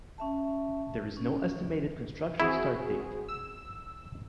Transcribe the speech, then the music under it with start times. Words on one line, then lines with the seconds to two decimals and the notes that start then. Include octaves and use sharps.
There is no estimated construction start date.
0.18 C#4 E5 A5
1.17 C#4
2.40 C4 E4 F#4 G#4
3.28 E6